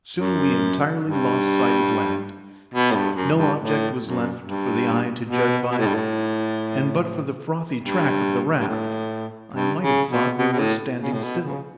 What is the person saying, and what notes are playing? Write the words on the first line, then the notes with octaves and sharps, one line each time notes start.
Soon we entirely lost sight of land; no object was left for the eye to judge by, and but for the frothy track of the raft, I might have thought we were standing still.
F#2
G2
B2
A2
G2
F#2
G2
A2
F#2
G2
B2
B2
A2
G2
A2
G2
G2
A2
G2
C#3
B2
B2
B2
A2
C#3
A2
B2
C#3